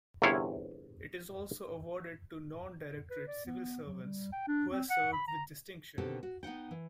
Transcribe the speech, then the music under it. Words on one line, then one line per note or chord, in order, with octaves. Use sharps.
It is also awarded to non-directorate civil servants who have served with distinction.
G1 E2 C3 E4 C#5 F5
B4
D5
B3
F#3
G3
G5
D4
C4
F#5
B5
A#5
B2 D3 D#3 C4 G4 A4
F#4
B3 D#4 F#5 G5
E3